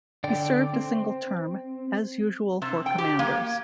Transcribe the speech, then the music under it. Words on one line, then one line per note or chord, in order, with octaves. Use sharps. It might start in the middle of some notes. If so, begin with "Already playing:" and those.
He served a single term, as usual for Commanders.
D3 D5 G5
C4
C3
G5
G4
A#3